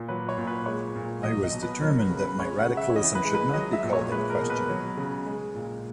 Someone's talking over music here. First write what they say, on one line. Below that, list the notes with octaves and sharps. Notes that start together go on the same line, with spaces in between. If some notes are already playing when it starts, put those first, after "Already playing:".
I was determined that my radicalism should not be called in question.
Already playing: A#2
F#3 B4
C#5
A#2
B4
G#3 C#5
A#2
F#3 D#5
D#5
B2
B4
F#3 A#4
B4
C#3
B4
G#3 C#5
F#5
C#3
E5
C#5
E3 D#5
B4
G#3
B4
F#3 D#5
E5
A#2
C#5
G#3 B4
A#4
B2
B4
F#3
C#3
G#3
A#2